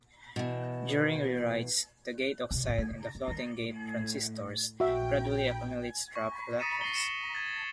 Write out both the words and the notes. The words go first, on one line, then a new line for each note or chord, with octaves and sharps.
During rewrites, the gate oxide in the floating-gate transistors gradually accumulates trapped electrons.
B2 E3
C3 C4
A2 C#3
A3
C#3
D#2
D#3 G#3
A2
A#1 F#4 E5 G5
C#6
D#6 A6 B6 C#7 D#7 E7
A#6 C7 D#7 F#7 G7
A#6 C#7 E7 F#7
G#6 A6 D#7